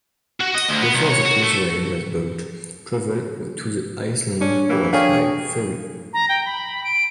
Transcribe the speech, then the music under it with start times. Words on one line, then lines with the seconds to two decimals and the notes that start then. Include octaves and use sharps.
Before the causeway was built, travel to the island was by ferry.
0.40 F#4
0.54 D#5
0.69 D2
0.82 B3
0.95 C2
1.10 C#5
1.25 F#4
1.43 A3
4.41 C#4 D4
4.69 E3 A#3 G4
4.93 D4 G#4 A4 C#5 F5 G5 G#5
6.13 A#5
6.29 G5
6.46 B5
6.84 D7